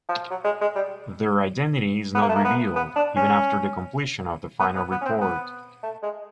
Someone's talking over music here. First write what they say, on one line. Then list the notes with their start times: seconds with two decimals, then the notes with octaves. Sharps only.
Their identity is not revealed, even after the completion of the final report.
0.09 F3
0.30 F#3
0.45 G#3
0.61 G#3
0.76 G3
2.15 B3
2.22 A#3
2.29 A3
2.36 A#3
2.45 B3
2.76 B3
2.96 D4
3.16 C#4
4.60 B3
4.76 B3
4.91 B3
5.01 C#4
5.06 C4
5.21 B3
5.83 A3
6.03 G#3